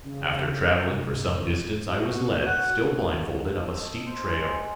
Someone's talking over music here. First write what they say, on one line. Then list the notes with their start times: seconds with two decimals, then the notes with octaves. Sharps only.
After traveling for some distance I was led, still blindfolded, up a steep trail.
0.04 C#3
0.89 G#2 C3
1.89 F#4
2.46 F#5
3.63 A4
3.77 D#5
4.07 C5
4.24 C#4
4.40 G#3